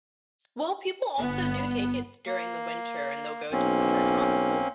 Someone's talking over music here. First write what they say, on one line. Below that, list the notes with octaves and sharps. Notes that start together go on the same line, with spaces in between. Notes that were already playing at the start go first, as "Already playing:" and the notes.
Well, people also do take it during the winter, and they'll go to somewhere tropical.
G1 B3
A#3
B1 A#3 C4 C#4